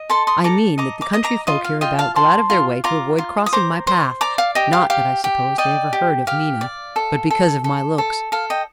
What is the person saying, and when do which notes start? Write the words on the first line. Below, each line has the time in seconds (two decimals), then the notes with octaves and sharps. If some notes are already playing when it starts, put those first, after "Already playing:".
"I mean that the country folk hereabout go out of their way to avoid crossing my path--not that, I suppose, they ever heard of Mina, but because of my looks."
Already playing: D#5
0.10 A4 A5 C6
0.27 C6 D#6
0.44 A4 A#5 D6
0.78 D#5 A#5 D6
1.01 A#5 D6
1.13 D#5 D#6
1.24 A#5 D6
1.47 F4 D#5
1.64 F5
1.81 F4 D#5 G5
1.99 F5 A5
2.16 C5 A5 C6
2.50 F4
2.84 F4 A#5 D6
3.18 F4
3.46 D#6
3.53 C5 A#5 D6
3.87 C5
4.21 D5 A#5 D6
4.38 F5
4.55 G4 D#5
4.73 F5
4.90 G4 F5
5.24 G4
5.58 D5 D#5 G5
5.93 G4
6.27 G4 F5
6.61 D5
6.96 A4
7.31 A4
7.64 A4
7.98 A4
8.32 A4 F5
8.50 D#5 G5